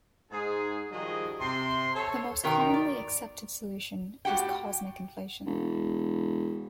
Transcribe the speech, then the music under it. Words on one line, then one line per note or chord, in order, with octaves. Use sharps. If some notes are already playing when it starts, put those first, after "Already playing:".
The most commonly accepted solution is cosmic inflation.
G#2 G#4
D#3 F3 G3 F#4 G#4 D#5
C3 C6
A4 C5 C#5
B2 D#3 A#4 G5
D5
A2 F#4 G4 F#5 G5
E1